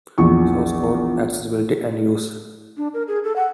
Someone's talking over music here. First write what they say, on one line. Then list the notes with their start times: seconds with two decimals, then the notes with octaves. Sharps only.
Source code accessibility and use.
0.18 A#1 E2 C#6
2.77 D4
2.94 A#4
3.08 G#4
3.24 A4
3.36 F#5